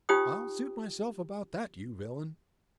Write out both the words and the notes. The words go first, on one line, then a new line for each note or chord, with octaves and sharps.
"I'll suit myself about that, you villain!"
D#4 F4 G4 C5 G5 D#6